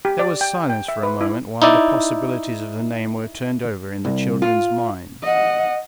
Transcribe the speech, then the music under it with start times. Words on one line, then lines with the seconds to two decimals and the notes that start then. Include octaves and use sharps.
There was silence for a moment while the possibilities of the name were turned over in the children's minds.
0.05 G4
0.19 D5
0.41 G5
0.70 G5
0.88 E5
1.03 B4
1.21 E4
1.62 D#4 E4 D5
4.05 C2
4.42 F4
5.23 D#5 F#5